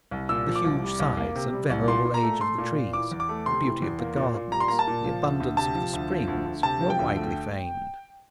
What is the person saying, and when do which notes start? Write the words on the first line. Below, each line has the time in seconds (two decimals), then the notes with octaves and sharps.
The huge size and venerable age of the trees, the beauty of the gardens, the abundance of the springs, were widely famed.
0.11 C2
0.29 A#2 E6
0.46 F3
0.55 D6
0.64 C2
0.82 G3
1.00 C2
1.17 A#3
1.35 C3
1.52 G3
1.70 C2
1.88 A#2 C6
2.06 A#2
2.14 A#5
2.22 A3
2.40 A3 C6
2.58 A#2
2.76 A#2
2.93 E3 D6
3.11 E2
3.20 D6
3.29 A3
3.46 C3 C6
3.63 E3
3.82 E2
3.99 A#3
4.17 A#2
4.35 A#2
4.52 G3 A#5
4.60 C6
4.68 A#3 A#5
4.79 A5
4.87 A#2
5.05 F3
5.23 D2
5.40 D2
5.57 C3 A5
5.75 F3
5.93 D2
6.10 F3
6.28 D2
6.46 D2
6.63 C3 A5
6.80 F3
6.90 G5
6.99 D2
7.17 A3